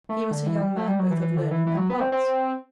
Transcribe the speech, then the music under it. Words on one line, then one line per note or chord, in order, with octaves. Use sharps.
He was a young man both of learning and parts.
A3
D3
E3
G3
A3
G3
F#3
E3
E3
D3
E3
E3
F#3
B3
C4
C4